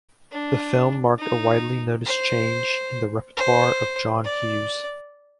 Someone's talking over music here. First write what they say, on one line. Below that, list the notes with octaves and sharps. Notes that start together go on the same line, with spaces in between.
The film marked a widely noticed change in the repertoire of John Hughes.
D4
D#4
C5
C5
D5